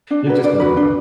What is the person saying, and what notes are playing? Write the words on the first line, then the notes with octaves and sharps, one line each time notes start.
you just never know.
D4
F#4 B4
D4 D5
F#4 B4
D4